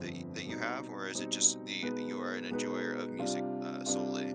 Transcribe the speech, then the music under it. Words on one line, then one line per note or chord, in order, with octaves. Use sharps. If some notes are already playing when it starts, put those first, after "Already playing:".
that y that you have, or is it just the you are an enjoyer of music, uh, solely?
Already playing: G1 F2 D3 F3 C4
B2 G3 C4 D#4
B2 G3 C4 D#4
B2 G#3 B3 D#4 B4
B2 G#3 B3 D#4 B4
C3 G3 D4 F4
C3 G3 D4 F4